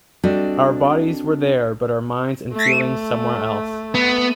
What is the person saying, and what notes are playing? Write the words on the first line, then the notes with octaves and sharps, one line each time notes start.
Our bodies were there, but our minds and feelings somewhere else.
G3 C4 D4 F#4 A4 D#5
A3
B3